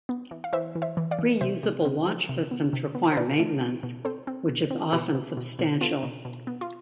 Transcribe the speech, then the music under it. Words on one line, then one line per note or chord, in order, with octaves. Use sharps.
Reusable launch systems require maintenance, which is often substantial.
B3
E3
F5
E3 C5 E5
E3
C5 E5
E3
D5 F5
E3
C3 C5 E5
C3
C3
F3
C3
B3
C3
B3
C5
B2 B4 D5
A3
C4
B2
C4 A4 C5
C4
B2
C4
B2 G4 B4
B3
B2
B2
B3 F4 A4
B2
B2
B3
F4